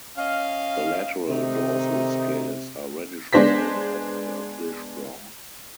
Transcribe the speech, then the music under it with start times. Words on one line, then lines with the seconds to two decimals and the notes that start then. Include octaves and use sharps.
The lateral dorsal scales are reddish brown or purplish brown.
0.17 C#4 D#5 F5
1.29 C3 D#3 A3 D#4
3.33 G#3 B3 D4 C5 A#6 B6